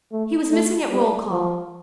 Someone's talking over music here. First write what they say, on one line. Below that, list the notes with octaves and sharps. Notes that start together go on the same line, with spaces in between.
He was missing at roll-call.
A3
A3
G3
F3